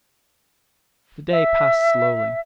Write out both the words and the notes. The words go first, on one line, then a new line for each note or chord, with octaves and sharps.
The day passed slowly.
E5